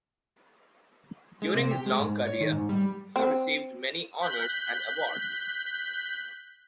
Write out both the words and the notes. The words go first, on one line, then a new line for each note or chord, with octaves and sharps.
During his long career, he received many honours and awards.
G#3
C3
G4
G#3
G#2
C#5
D#3
G#2
G3
C4
F#6 G6 B6